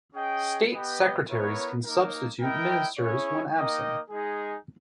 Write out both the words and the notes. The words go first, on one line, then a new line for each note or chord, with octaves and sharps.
State secretaries can substitute ministers when absent.
C#4 G#4 D#5 G5
B3 G4 B4 D#5 G5
B3 E4 A#4 C#5
A#3 D#4 A#4
E4 A#4 D#5 G5
C#4 E4 G#4 C#5
A#3 D#4 A#4 D#5 G5
G#3 D#4 G#4